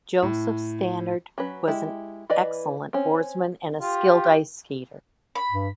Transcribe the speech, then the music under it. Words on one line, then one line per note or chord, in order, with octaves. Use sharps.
Joseph Stannard was an excellent oarsman and a skilled ice-skater.
A2
F#3 C#4 B4
G#3 E4 G4
E3 B4 D5 D#5
C4 C#4
F4 G4
B5
G2